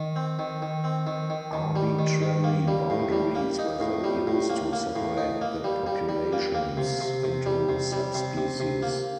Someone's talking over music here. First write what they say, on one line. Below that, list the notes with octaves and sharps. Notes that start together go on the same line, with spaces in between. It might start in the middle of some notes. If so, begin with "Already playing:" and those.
Arbitrary boundaries were then used to separate the populations into subspecies.
Already playing: D#3
C4
D#3
D#3
C4
D#3
D#3
D#3
G3
D#3
D#3
A#3
G3
A2
G3
A#3
D#4
A2
G3
A2
A#3
A#3
A2
D#4
A#3
G3
G3
G3
A#3
A#3
C3
C3
C3
G3
C3
G3
C3
C3
C3
A#3